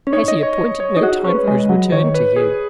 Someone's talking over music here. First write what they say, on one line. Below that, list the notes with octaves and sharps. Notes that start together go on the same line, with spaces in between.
"Has he appointed no time for his return to you?"
C#4
D#4 C#5
D#5
C#5
C#5
C#5
D#4
F#4 G#4
G#4
C#4
B4
C#5
G#3 D#5
F#3
D#3 C#5
B4
G#4